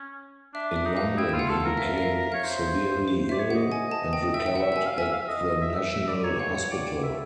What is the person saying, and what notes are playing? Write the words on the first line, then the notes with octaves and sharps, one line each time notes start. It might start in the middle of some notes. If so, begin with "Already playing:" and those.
In London, he became severely ill, and recovered at the National Hospital.
Already playing: C#4
D4 E5
E5
D#4
F5
E4 G5
F4 G5
F#5
A4
F5
A#4
E5
F5
E5
F5
E5
C#5 F5
C5 E5
C5
C5
E5
D5
C#5
F#5
D#5
G#5
A5
G5
D#5
E5 G5
G5
F#5
G5
G#5
F5
E5 G#5
F5
E5
D#5
E5
E5
E5
D5
C#5 A#5
C#5 F5
C#5 F#5
D5 G5
G5
E5